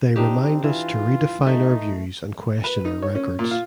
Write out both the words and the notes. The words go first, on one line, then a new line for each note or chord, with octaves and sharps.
They remind us to redefine our views and question our records.
C4 D4 D#4 G4
E3 F4
A3 D#4
B4
D#4
C#5
C#4
A#2
F4